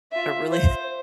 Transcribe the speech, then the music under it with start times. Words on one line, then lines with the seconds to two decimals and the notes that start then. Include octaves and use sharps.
a really
0.12 F4 E5
0.51 C5